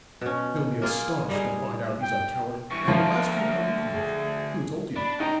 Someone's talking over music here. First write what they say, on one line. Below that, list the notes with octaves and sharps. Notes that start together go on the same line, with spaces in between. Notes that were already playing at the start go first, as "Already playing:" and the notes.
He'll be astonished to find out he's a coward and will ask you how you found out, who told you.
B2 C#4
A#3 F4 G#4
G3 D#4 G#4
G5
G2 E3 C#6
D3 F3 A3 A#4
G#4
D4 B5
C#4 D#4 G5 A#5